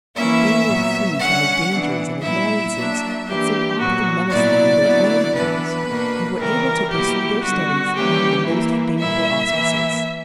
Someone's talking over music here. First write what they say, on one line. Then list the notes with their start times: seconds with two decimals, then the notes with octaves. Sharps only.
They were free from the dangers and annoyances that so often menaced them in their own homes and were able to pursue their studies under the most favorable auspices.
0.15 E3 A#3 C#4 E4 E5
0.67 A#2 F#3 B3
1.19 D3 G3 C#4 F#5
1.71 E3 B3 D4
2.23 A#2 G3 B3 E4 E5
2.74 F#3 A#3 D4
3.26 E3 A#3 D4 G4
3.78 A#2 F#3 B3 F#4
4.30 A#2 F#3 B3 E4 D5
4.83 D3 F#3 B3 E4
5.34 E3 B3 D4 B4
5.86 B2 A#3 D4
6.38 C#3 E3 G3 A#4
6.90 B2 F#3 A#3 E4 G4
7.42 D3 G3 B3 F#4
7.94 E3 G3 A#3 C#4 G4
8.46 E3 A#3 E4
8.98 A#2 G3 A#3 E4 E5
9.50 E3 A#3 E4